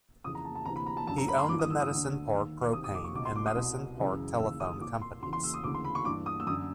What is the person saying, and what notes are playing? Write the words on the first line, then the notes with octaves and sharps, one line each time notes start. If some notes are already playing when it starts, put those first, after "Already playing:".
He owned the Medicine Park Propane and Medicine Park Telephone companies.
F2 C#3 E3 D#6
A#5
A5
A5
D2 C3 E3 A#5
B5
A#5
A5
F#2 D3 A5
A#5
B5
C6
G2 E3 D6
D#6
E6
D#6
D2 D3
D#2 D#3
C2 C3 D#3 D#6
D#6
D6
C#6
C#2 B2 D6
C6
D6
D#6
C2 B2
F#2 C#3 E3
D#2 C#3 E3 E6
D#6
C2 A#2 D6
C6
E2 C#3 E3 C6
C6
E6
D#6
D2 C#3 E3 D6
C6
B5
C#6
G2 E3 D6
D#6
E6
F#2 D3 D#6